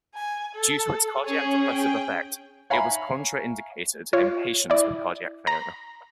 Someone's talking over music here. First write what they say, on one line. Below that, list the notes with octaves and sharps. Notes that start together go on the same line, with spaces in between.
Due to its cardiac depressive effect, it was contraindicated in patients with cardiac failure.
G#5
A4
C#4 G#4 C#5
G5
C#5 E5 F5 G#5 A#5 B5
F4 C#5
E4 D5
A#5